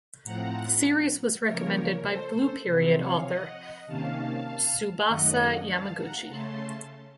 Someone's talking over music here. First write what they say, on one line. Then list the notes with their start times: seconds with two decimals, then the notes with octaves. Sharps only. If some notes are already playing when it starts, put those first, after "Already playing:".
The series was recommended by "Blue Period" author Tsubasa Yamaguchi.
0.24 A2 F3 C4 F#5 A#5
1.45 C#3 F3 A#3 A#4 C#5
2.05 A4 C5
2.66 C3 F3 C4
2.96 C#5 F5
3.26 D#5 F#5
3.87 C3 D#3 A#3 C#4 F5 A5
5.07 F#2 D#3 F#3 A3 D#5 F#5
5.68 F5 A5
5.99 F#5 A#5
6.29 C#3 A3 C#4 A5 C6